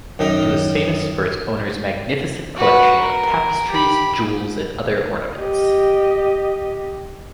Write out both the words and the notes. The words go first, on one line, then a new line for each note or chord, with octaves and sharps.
It was famous for its owner's magnificent collection of tapestries, jewels, and other ornaments.
F#2 D#3 D#4 A#4
F#4 B4
A#4
G4 B5
G4 D#5